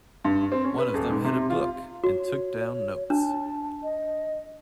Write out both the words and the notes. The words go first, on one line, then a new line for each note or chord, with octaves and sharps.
One of them had a book, and took down notes.
G2
C4
C#4
B4
D#1
G#2
C3
F4
F#4 C#5
D4 A5
D#5